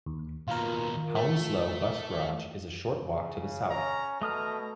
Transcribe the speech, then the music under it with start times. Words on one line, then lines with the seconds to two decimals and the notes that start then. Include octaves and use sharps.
Hounslow bus garage is a short walk to the south.
0.06 D#2
0.48 D#2 B2 F4 A#4
1.15 A3
2.99 C#3
3.70 C#4 A#5
4.22 B2 A3 A4 A#5 D#6 F6